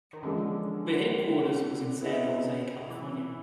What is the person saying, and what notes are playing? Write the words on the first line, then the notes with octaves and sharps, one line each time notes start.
The headquarters was in San Jose, California.
D#3
D3 F3 G#3 C#4
B3 E4 G#4 B4 D#5
E3